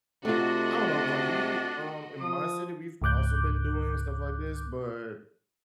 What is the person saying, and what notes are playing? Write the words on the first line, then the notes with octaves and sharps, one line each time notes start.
I don't know, it's, like, we um, in my city, we've also been doing stuff like this, but,
C3 A3 D4 F4 F#4 D#5
F3 D#6
C#2 G#2 D6 F#6 G6